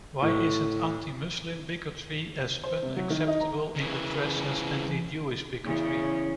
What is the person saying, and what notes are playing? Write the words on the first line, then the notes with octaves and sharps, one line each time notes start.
Why isn't anti-Muslim bigotry as unacceptable in the press as anti-Jewish bigotry?
A2
C5
C3
F#3
D#3
D#4
A#5
C#3 E3
E2 C#3 C#4